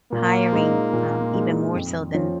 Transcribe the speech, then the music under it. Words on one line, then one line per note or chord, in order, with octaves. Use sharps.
hiring, um, even more so than
A#2 A#3
G#3 D#4
A#2
G#3 D#4
F2
F3 C#4